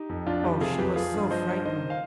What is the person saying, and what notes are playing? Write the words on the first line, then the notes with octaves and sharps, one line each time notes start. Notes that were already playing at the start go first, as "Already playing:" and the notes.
Oh, she was so frightened!
Already playing: D#4 G4
F2
F2 D4 F4
F3 D#4 G4
C3 F4 G#4
F2 G4 B4
F3 F4 G#4
G2
F3 C5 D#5
G2
D#3 C5 D#5
F5